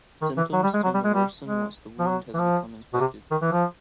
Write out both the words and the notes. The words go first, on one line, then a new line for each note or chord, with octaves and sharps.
Symptoms tend to worsen once the wound has become infected.
D#3
E3
F#3
G3
G#3
F#3
G3
G#3
G3
G#3
F3
F#3
E3
F3
B2
C3
D#3
E3
F3